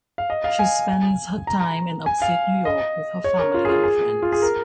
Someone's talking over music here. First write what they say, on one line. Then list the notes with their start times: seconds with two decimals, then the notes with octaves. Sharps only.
She spends her time in upstate New York with her family and friends.
0.18 F5
0.30 D#5
0.44 F5
0.59 G#5
1.47 A#5
2.06 G#5
2.22 F5
2.65 D#5
3.24 C#5
3.39 A#4
3.54 F4
3.65 G#4
3.69 F4
3.83 G#4
4.22 F4
4.32 G#4
4.42 A#4